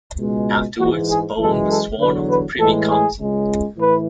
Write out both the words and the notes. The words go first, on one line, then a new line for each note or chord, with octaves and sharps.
Afterwards, Bowen was sworn of the Privy Council.
C#2 B2 G#3
G#2 E3 G#3 F#4
G#4
F#2 E3 G#3 A4
A4
E2 D3 F#3 B4
B4
A2 E3 G#3 A4
G#4
C#2 C#3 G#3
A2 E3 B4